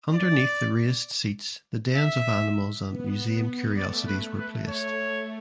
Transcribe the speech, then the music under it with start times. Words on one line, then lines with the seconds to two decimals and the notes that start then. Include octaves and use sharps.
Underneath the raised seats the dens of animals and museum curiosities were placed.
0.13 D5
1.95 E5
2.87 B3
3.78 A3 D5
4.07 B4
4.38 B4
4.69 C#5